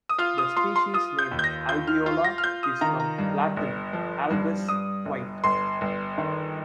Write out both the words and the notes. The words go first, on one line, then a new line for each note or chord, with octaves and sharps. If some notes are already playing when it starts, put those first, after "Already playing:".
The species name "albeola" is from Latin "albus", "white".
D#6
F4 F6
D#6
F4 C6
C6
F4 D#6
G6
D#2
G6
A#6
F4 G6
F6
F4
A#6
F6
F4 G6
D#6
D#3 A#5
A#5
G2
G1
F3
G2
G2 D#6
G1
G1 C6
G1
D#3